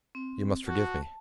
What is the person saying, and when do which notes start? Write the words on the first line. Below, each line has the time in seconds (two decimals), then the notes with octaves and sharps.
You must forgive me.
0.15 C4
0.67 F#4 A5